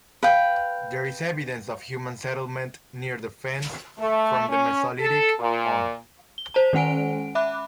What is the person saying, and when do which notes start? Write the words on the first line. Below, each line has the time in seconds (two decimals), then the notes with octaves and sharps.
There is evidence of human settlement near the Fens from the Mesolithic on.
0.23 B4 F5 G5
3.98 A3
4.48 C#4
4.99 A4
5.39 A#2
6.38 G7
6.54 C5 A5 A#5
6.73 D#3 G#3 C#4 F#5 G#5 D7
7.35 E5 B5 D6 F#6